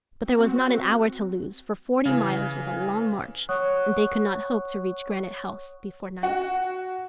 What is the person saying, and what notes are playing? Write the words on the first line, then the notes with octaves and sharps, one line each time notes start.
But there was not an hour to lose, for forty miles was a long march, and they could not hope to reach Granite House before night.
C4 F#4
C#3 E3
C#5 F#5 C#6 D#6 F#6
F#4